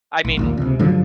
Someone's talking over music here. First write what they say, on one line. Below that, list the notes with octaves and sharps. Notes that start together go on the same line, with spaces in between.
I mean
A#1
A#1 D#2 A#2
C#2 C3
G2 D3 F3 F#3